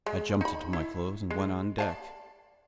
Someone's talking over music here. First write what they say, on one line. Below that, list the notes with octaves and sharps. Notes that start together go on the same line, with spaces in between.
I jumped into my clothes and went on deck.
G#3
D#4 B5
E4
G#3
D5 F5 A5